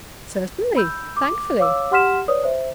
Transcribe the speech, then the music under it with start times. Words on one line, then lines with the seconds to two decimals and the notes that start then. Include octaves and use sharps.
'Certainly; thankfully.
0.76 B5 E6 G6
1.16 D6
1.59 C#5 F5 D6 E6
1.91 G4 F#5 C6 F6 B6 E7
2.28 B4 C#5 D5 D#6
2.43 C5 E5